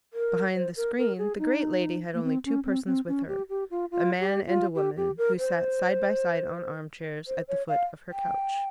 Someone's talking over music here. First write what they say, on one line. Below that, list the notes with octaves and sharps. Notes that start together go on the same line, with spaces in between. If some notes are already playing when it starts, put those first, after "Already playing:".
Behind the screen the great lady had only two persons with her: a man and a woman, who sat side by side on arm-chairs at the foot of her couch.
A#4
C5
A#4
A#4
G#4
D#4
A#3
C4
C#4
C4
C4
C#4
G4
G4
F4
F4
G4
F4
G4
G4
A#4
C5
C5
C#5
F5
G5